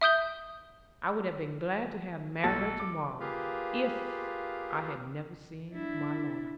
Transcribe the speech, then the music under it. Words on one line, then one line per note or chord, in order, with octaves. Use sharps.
I would have been glad to have married her to-morrow, if I had never seen my Lorna.'
E5 D#6 G6 G7
B1 A4
D6
A#3 F4 G4 G#4 B4 F5
D4 E4